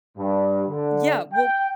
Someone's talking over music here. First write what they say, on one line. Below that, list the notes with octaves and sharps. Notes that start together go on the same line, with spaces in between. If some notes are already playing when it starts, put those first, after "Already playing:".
Yeah, well
G2
D3
G5